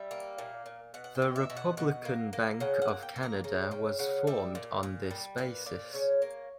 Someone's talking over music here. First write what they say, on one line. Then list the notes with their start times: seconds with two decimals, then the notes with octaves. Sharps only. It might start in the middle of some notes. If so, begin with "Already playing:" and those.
The Republican Bank of Canada was formed on this basis.
Already playing: G3 E5
0.11 A#3
0.38 A#2
0.66 A#2
0.94 B2 F#5
1.04 F#5
1.15 G5
1.22 B2
1.36 E5
1.50 B2
1.57 F#5
1.77 B2 F#5
2.05 A#3
2.33 A#3
2.60 C#3 F#5
2.82 F#5
2.88 A#3
3.03 G5
3.16 A#3
3.23 A#5
3.44 C#3 A#5
3.71 C#3 G5
3.99 C#3 F#5
4.27 G3 E5
4.55 A#2
4.83 A#2
5.11 G3
5.38 A#2 B4
5.66 A#2 D5
5.94 C#3 C#5
6.22 A#3